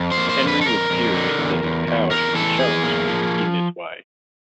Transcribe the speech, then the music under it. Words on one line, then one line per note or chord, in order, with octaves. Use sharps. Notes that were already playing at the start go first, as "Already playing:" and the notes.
Henry was furious that his power should be challenged in this way.
Already playing: F2
C5
A#3
C5
F2
B4
A4
F2 A#4
F2
D3
E2
E2
E2
E2 A#4
E3 A4
E2 G#4
A#3
F3